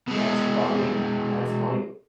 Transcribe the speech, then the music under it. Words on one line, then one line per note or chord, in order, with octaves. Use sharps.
That's funny, that's funny.
B2 G#3